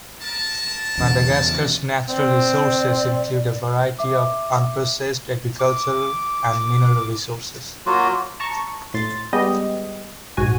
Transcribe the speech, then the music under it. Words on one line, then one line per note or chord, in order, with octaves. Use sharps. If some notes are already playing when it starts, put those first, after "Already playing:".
Madagascar's natural resources include a variety of unprocessed agricultural and mineral resources.
A#4 A5
E2 C#3 E3
C4 D5
E5 D6
D6
F#3 A#3 F4 F#4
A5 A#5 C#6
A2 C6 A6
G3 G#3 B3 G4 D#5
A#1 G#2 F#4 G#5